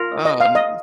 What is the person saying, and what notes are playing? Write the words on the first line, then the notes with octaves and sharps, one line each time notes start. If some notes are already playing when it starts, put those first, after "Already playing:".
Oh n
Already playing: F4 A#4
D#5
F5
D#5